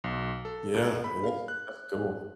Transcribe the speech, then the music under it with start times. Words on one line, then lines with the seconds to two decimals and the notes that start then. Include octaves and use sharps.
Yeah, that's that's cool.
0.04 B1
0.45 A4
0.74 C#2
1.04 B5
1.24 F5
1.48 F#6